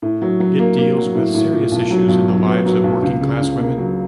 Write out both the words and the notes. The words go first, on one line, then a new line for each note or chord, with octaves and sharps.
It deals with serious issues in the lives of working-class women.
A2
F#3
F#3
A#3
A#3
F#3
A2
A2
A#2
B1
F#3
B1
F#3
B3
F#3
B1
C#2
C#3
C#2
A#3
F#3